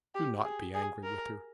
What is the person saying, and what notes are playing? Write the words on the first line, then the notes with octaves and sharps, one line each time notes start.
'Do not be angry with her.
G4
G#4
G#4
A#4